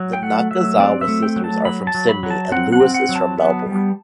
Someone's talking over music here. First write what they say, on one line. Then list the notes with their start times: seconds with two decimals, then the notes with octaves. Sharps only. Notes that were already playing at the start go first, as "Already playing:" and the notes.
The Nakazawa sisters are from Sydney and Lewis is from Melbourne.
Already playing: F#3
0.13 G5
0.22 A3 F#5
0.51 F#3 E5
0.79 C4 D5
1.01 E5
1.08 A3
1.23 G5
1.36 F#3
1.44 A5
1.65 F#3 B5
1.87 A5
1.95 F#3
2.09 B5
2.23 F#3
2.30 A5
2.52 C4 F#5
2.73 F#5
2.80 C4
2.94 F#5
3.09 F#3
3.15 A5
3.38 B3
3.66 G3